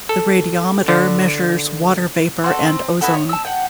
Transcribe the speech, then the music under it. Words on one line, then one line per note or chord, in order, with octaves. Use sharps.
The radiometer measures water vapor and ozone.
A4
D3
C4 F#4 A4
C4
B3 E4 F#4 A4
C#5
A5 E6
F#5 G5